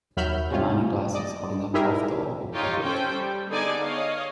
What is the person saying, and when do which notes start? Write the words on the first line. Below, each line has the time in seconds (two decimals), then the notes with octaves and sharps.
A man in glasses holding a cloth doll or puppet.
0.17 D#2 F#3 E5 B5 F6 G6
0.51 C3 C#4 F4
1.15 D5 D#5
1.74 D#4 E4 G4 G#4 A#4 E5
2.54 D#4 F4 G4 C#5
2.83 C#4 A4 C5 G5
3.14 G3
3.49 D3 B3 D#4 G#4 D5 G#5
3.82 C#5 D#5 F5